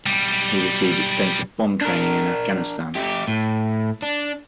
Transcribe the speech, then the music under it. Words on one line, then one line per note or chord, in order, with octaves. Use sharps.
He received extensive bomb training in Afghanistan.
B1 G3
D4 A#4
A3 G4
A2
D4